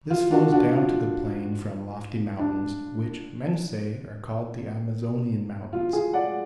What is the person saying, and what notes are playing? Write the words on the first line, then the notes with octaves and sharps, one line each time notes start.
This flows down to the plain from lofty mountains, which, men say, are called the Amazonian mountains.
F4
D4 F#4
D4 F#4
F4
D4
F4
F4 G#4
D5 F#5